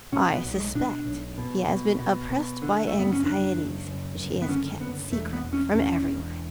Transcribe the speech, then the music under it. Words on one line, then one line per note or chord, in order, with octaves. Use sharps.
I suspect he has been oppressed by anxieties which he has kept secret from every one.
B2 C#4
B3
B1
G#3
B2 D4
B1
B2
B2
B2
B2
D3
A3
F#1
B3
C#4
F#1 D4
F#1
F#1
F#1
B3
D3 C#4
F#1 B3
E1 A3
B3
E1
C#4
E1 C#4
E1